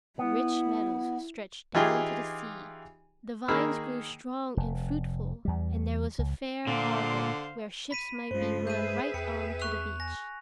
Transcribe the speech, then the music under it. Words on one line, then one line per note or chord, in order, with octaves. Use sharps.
Rich meadows stretched down to the sea, the vines grew strong and fruitful, and there was a fair harbor where ships might be run right on to the beach.
B3 E4
E3 D#4 F4 G4 G#4
D#3 A#3 G#4 B5 E6 F6
F1
E2 G3
C#2
A#2 D3 C5 F5
B5 B6 D#7
G2 C#3 F3 G#3 C5
G#4 B4 E5 G6 D#7
E2 G5 C#7
C#6 F#6 F7
G#5 A#6